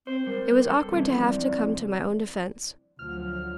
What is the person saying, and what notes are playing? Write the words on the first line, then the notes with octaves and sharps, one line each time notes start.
It was awkward to have to come to my own defense.
C4 C5
G3 A#4
A4
F2 C3 E3 G3
D5
D2 F3 F#3 F6